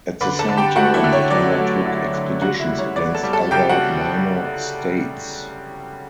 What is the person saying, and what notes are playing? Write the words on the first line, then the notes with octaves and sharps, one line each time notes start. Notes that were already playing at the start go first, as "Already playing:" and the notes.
At the same time, it undertook expeditions against other minor states.
D3 B4 B5
A4 A5
D3
G4 G5
A3 F#4 F#5
E4 E5
D3
C#5
F#3 D5
A3
D3
D3
C#3 F#4 F#5
E4 E5
G3
C#5
B3 D5
A4 A5
G3
A4 A5
C#3 G4 G5
F#4 F#5